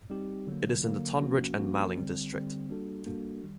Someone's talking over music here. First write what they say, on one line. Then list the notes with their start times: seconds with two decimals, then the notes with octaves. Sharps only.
It is in the Tonbridge and Malling district.
0.10 G3 C4 D#4 G4
0.47 D3 F#3 A#3
0.84 D3 F#3 A#3
1.21 F3 A#3 C#4 F#4
1.58 F3 A#3 C#4 F#4
1.95 D3 G3 C4
2.32 D3 G3 C4
2.69 G3 A#3 D4 F#4 A4
3.06 G3 A#3 D4 F#4 A4
3.43 D#3 G3